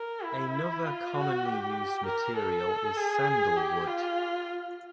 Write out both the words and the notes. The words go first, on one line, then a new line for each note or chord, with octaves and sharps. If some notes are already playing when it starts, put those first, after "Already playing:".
Another commonly used material is sandalwood.
Already playing: A#4
E4
F4
F#4
G4
A#4
A4
G#4
G4
F4